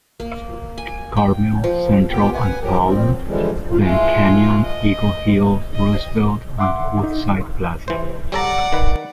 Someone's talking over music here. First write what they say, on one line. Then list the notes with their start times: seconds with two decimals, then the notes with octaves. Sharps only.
Carmel, Central and Palm then Canyon, Eagle Hill, Roosevelt, and Woodside Plaza.
0.20 A#3
0.78 G#5
1.17 G5
1.64 F3
2.11 A#3 B3 F4 G4 G5
2.32 B4 F#5 G#5
2.62 F3 F#3 G4 A#4
2.85 F3 C4
3.27 D3 E3 F3 G3 G#3
3.80 E3 G#3 A3 F4
4.65 D#5
5.74 D#5
6.58 E5 F#5 C6 D6
7.03 D#4
7.88 E3 C5
8.32 G3 A4 D5 F#5 A#5
8.73 D#3 B4